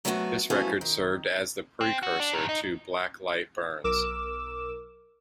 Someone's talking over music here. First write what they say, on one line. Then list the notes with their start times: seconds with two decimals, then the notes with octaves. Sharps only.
This record served as the precursor to Black Light Burns.
0.05 F#3 A3 B3 C4 F4 F#4
0.50 F3 F#3 A3 B3 C#4 E4
0.81 D#3
1.81 C4
2.03 F#4
2.20 D4
2.34 G2 D#3
2.49 D#4
3.84 B1 A#4 D6 E6 E7